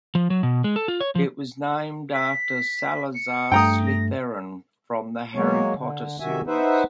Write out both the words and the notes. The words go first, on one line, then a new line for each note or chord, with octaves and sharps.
It was named after Salazar Slytherin from the "Harry Potter" series.
F3
F#3
B2
G#3
A4
F4
C#5
F3
B6
C#7
G2 A3 G5 A#5 D#6
A#6
F#3 G#3 A#3 C#5
D3
C3 D#3 F#4 E5 G#5
D#4 B4 C5 E5 F#5